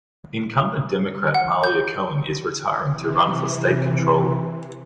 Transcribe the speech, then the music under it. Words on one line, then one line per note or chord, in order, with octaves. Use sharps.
Incumbent Democrat Malia Cohen is retiring to run for state controller.
F#5
G6
C3 E3